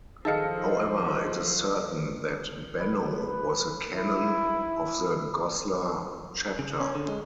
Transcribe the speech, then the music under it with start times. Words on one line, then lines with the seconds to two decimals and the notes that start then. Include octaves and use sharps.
However it is certain that Benno was a canon of the Goslar chapter.
0.25 D#3 F3 D#4 G#4 A4 D#5 F5 C#7
2.80 B4
3.96 E4
6.59 C#3
6.80 C#4
6.95 D3
7.08 G#3